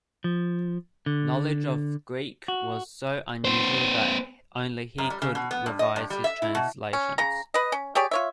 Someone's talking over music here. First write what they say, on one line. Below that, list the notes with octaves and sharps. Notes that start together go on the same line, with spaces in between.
Knowledge of Greek was so unusual that only he could revise his translations.
F3
D3
F#4
B3 C5
F#2
G3
C#3
B2
B3
G2
D#5
G2
G3
E5
E4
B2
C#4
C#3 A#5
B4 D#5
C#4
G4 G#4 C#5 D5
F4 C#5 E5